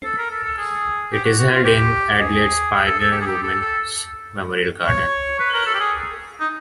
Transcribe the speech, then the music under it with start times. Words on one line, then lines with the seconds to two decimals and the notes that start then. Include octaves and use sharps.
It is held in Adelaide's Pioneer Women's Memorial Garden.
0.04 A4
0.18 A#4
0.31 A4
0.44 A4
0.58 G#4
1.12 G4
1.24 F#4
1.39 F#4
1.52 F4
1.64 G4
2.19 G#4
2.71 G#4
2.86 A4
2.99 A4
3.12 G4
3.21 G#4
3.26 G4
3.43 A4
3.61 A4
4.86 C#5
5.39 B4
5.53 A#4
5.66 A4
5.74 G4
5.80 G#4
6.40 D#4